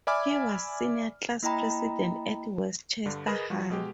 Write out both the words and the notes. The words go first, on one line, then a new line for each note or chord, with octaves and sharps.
He was senior class president at Westchester High.
D5 E5 G#5 B5 D6 F6
A#3 E4 D#5 G5 A#5 B5
G2 D3
G#4 A#4 B4 D#5 B5 E7
F3 G3 F#4
B2 G#3 G4